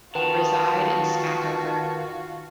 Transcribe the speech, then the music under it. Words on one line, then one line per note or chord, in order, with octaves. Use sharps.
They reside in Smackover.
D#3 F4 F#4 B4 F#5 G5 A5